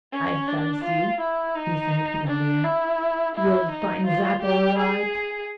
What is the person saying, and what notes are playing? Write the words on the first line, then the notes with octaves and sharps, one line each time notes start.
"I fancy," he said with a leer, "you'll find that all right."
C#4
D4
F4
E4
D#4
D4
E4
E4
D#4
F4
G4
G#4